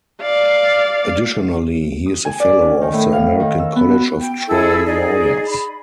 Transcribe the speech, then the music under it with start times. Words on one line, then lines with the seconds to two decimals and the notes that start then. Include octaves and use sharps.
Additionally, he is a fellow of the American College of Trial Lawyers.
0.22 D5 F5
2.06 D#6
2.25 G#5
2.40 D5
2.61 C#4
2.82 D#3
2.93 A2
3.13 F5
3.40 D#3
3.59 E6
3.76 B3
3.90 F#4
4.19 G5
4.47 E4 G#4 A4 E6
4.85 D#4 G#4 D5
5.46 B5